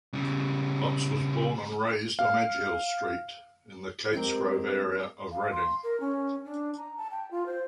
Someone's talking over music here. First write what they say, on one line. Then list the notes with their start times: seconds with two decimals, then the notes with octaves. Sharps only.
Potts was born and raised on Edgehill Street in the Katesgrove area of Reading.
0.14 C#3 G3
2.19 F5
4.13 G#3 C4 G4 A#4
5.31 F5
5.51 C6
5.83 A#4
6.00 C#4
6.45 D4
6.77 A#5
6.97 A5
7.11 G5
7.31 F4
7.46 C5